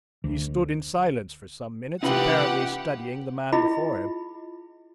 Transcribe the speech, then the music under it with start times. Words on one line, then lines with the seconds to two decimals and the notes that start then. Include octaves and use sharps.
He stood in silence for some minutes, apparently studying the man before him.
0.24 D2
2.03 C3 C#4 D#4 F4 G4 B4 F#5
3.53 E4 F4 G#4 D#5 B5